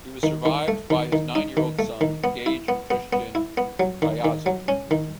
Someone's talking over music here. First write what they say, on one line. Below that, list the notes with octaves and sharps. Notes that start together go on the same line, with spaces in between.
He was survived by his nine-year-old son, Gage Christian Caiazzo.
D#3
D#3
A3
D#3
D#3
D#4
D#3
A3
D#3
B3
E4
B3
B3
B3
E4
B3
F#3
D#3
D#3
F#3
C#4
D#3